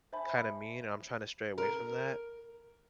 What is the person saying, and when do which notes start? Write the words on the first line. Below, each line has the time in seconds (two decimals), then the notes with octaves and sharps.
kinda mean, and I'm trying to stray away from that.
0.13 C5 E5 G#5 A5 B5
1.58 A#4